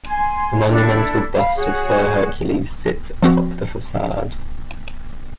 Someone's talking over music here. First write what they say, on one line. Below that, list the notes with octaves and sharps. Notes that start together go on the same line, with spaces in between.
A monumental bust of Sir Hercules sits atop the facade.
G#5 C6
D4 E4 A4
F5 B5
F#4 G#4 C#5
F3 C4 F#4